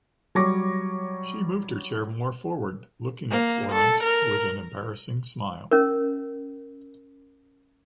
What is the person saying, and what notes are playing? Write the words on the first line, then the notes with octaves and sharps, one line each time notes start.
She moved her chair more forward, looking at Florent with an embarrassing smile.
F#3 G3 C#5 C#6 D6 A#6
A#3
A4
A#4
C#4 A#4